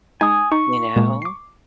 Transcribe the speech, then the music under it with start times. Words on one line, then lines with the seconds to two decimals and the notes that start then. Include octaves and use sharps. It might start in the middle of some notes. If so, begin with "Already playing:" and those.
you know?
0.21 G#3 D#4 G#5 D#6
0.52 D#4 C#6
0.96 A#2 G#3 A#3
1.22 D6 C7